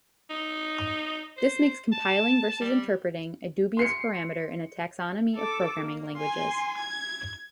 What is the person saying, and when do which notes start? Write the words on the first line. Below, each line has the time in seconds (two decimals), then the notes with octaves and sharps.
This makes compiling versus interpreting a dubious parameter in a taxonomy of programming languages.
0.30 D#4
1.37 C5
1.92 A5
2.61 G3
3.77 C6 C7 C#7
5.35 A4 D6
5.81 A#3
6.17 G#5 C6
6.78 G#6